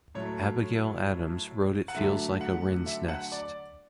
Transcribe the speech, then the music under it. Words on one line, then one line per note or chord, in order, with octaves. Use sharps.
Abigail Adams wrote it feels like a wren's nest.
A2 F#3 A3 C#5
F#5
D3 F#3 A3 E5
F#5
E5
F#5
D5